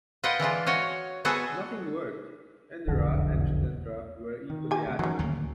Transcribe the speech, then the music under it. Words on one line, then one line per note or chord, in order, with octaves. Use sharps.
Nothing worked; Indira and Jitendra were equally adamant.
F4 B4 D#5 F#5 G5
E3 G#3 D4 F4
F#4 C#5 D#5 F5
G#3 B3 F#4 G#4 A4
E1 B1 F2 D3
D#3
G4 G#5
D2 G2 C3
F#2 D#3 E3 F#3 C#4
D1 D2 D#3 A#3